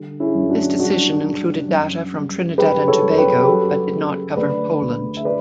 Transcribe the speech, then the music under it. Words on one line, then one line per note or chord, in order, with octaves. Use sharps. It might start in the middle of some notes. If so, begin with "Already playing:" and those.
This decision included data from Trinidad and Tobago but did not cover Poland.
Already playing: D3 G3
C#4 E4
F#2
D4 F#4
G3 D4 F#4
G3
F#2
G3
F#2 G4 B4
A4 C#5
F#2
G4 B4
G4
F#3 F#4 A4
C#3
D2 B4 D5
D2
E5
B4 D5